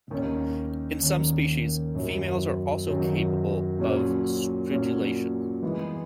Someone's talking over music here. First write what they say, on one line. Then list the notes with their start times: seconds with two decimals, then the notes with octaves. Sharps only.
In some species, females are also capable of stridulation.
0.10 D#2 D#3 A#3 C#4
1.02 D#2 D#3 A#3 C#4
1.95 F#2 D#3 F#3
2.87 F#2 D#3 F#3
3.79 A#2 F#3 C#4
4.71 A#2 F#3 C#4
5.62 E3 G#3 B3